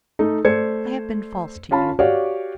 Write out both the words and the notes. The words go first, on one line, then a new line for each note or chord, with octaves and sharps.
I have been false to you.
A3 D#4
A3 C5 D5 G#6 C#7
C#4 F4 F5 A5 B5
F#4 G4 C#5 D5 F5